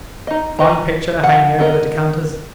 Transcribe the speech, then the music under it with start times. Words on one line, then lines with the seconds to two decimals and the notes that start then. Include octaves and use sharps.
Fine picture hanging over the decanters.
0.27 D#4 D#5
0.59 B4 D#5 A#5
1.24 F3 F#5
1.59 B3 A4 A#4 D#5